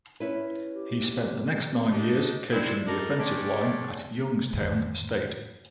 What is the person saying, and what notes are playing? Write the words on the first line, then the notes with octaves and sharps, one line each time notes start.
He spent the next nine years coaching the offensive line at Youngstown State.
C#4 E4 B4
G4
D4 D#4 G4
G3 G#3 C4 D4 E4
G3 D4 D#4 A4 A#4
G#3 C#4 G4 A4 C#5 D5
F2 A2 D#3 E3